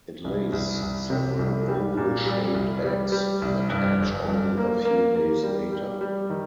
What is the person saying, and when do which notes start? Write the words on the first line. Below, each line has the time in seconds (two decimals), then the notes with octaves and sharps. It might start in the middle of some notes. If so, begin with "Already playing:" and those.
It lays several oval-shaped eggs that hatch only a few days later.
0.24 C2
0.52 C2
0.82 C2
1.10 C3
1.39 C2
1.69 G3
1.97 A#2
2.26 G3
2.54 C2
2.84 G3
3.12 G3
3.42 C2
3.70 G2
3.99 G1
4.29 G2
4.58 A#3
4.85 A#3
5.15 A#3
5.43 G3
5.72 G3
6.01 G3
6.30 D#3